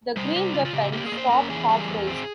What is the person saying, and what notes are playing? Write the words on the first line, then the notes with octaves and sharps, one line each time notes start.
The green weapon stopped half raised.
G3 C5
G3
C#3 F4
F4
C#3 G4
A#3 G4
G#4
A#3
C5
C#4 A#4
E3 G#4
G3 G#4
E2
C4